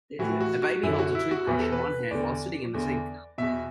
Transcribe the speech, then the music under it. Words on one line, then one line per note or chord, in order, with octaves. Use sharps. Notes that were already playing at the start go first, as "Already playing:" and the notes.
A baby holds a toothbrush in one hand while sitting in the sink.
A2 E3 F#4
F#4
F#4
F#2 D3 E4
F#4
E4
F#4
E2 E3 B4
A4
B4
E2 D3 D5
E2 D3
E2 B2 E5